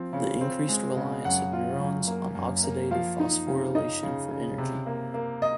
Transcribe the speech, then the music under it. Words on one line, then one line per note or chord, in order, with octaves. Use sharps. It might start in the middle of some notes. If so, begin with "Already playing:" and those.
The increased reliance of neurons on oxidative phosphorylation for energy.
Already playing: F3 C4
C#3
C4
G#3
C#3
F#2 F#5
F4
F#2
A#3
F#2
A#3
F3 F5
D#4
C#3
D#4 D#5
C#3
C#3
C3
A#3
A#3
D#5